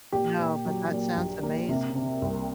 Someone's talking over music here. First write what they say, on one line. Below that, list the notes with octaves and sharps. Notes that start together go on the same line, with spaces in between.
No, but that sounds amazing.
A#2 G4
A#2
F#3
A#2
A#1
A#3
C3
C4
C2